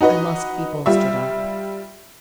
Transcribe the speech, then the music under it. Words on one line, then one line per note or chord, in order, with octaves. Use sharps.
I must be bolstered up.
D#4 F#4 B4 D#5
G3 F4 E5